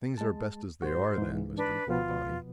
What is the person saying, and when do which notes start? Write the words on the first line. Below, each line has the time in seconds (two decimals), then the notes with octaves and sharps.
"Things are best as they are, then, Mr. Clawbonny."
0.18 G#3 A5
0.82 G#2 F#4 C5
1.18 G#2 E3
1.56 D4 B4
1.88 B2 F3 B3 F4